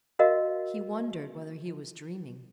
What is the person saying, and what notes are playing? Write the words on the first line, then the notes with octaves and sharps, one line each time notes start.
He wondered whether he was dreaming.
F#4 A#4 D#5 F5